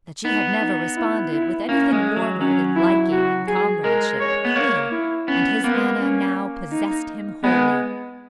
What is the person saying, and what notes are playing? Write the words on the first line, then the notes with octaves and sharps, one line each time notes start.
That she had never responded with anything warmer than liking and comradeship he knew; and his Anna now possessed him wholly.
B3 D#4
D#4
E4
E4
A#3 C#4
G#3
F#3
F#3 C#4
E4
F#4
G#4
G#3 A#4
C#5
B3
A#3 C#5
E4
B3 C#4
A#3 B3
C#4
D#4
G#3 B3